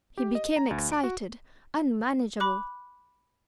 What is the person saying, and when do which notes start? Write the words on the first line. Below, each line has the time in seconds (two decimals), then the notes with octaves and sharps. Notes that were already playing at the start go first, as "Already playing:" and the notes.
He became excited, unmanageable.
0.18 G4
0.35 D#5
0.57 A#5
0.71 D2
0.92 D7
1.04 F#4
2.40 B5 D6 F#6